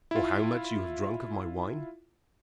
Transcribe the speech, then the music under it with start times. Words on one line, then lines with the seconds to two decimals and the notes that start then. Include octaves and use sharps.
"Or how much you have drank of my wine?"
0.11 E4 F4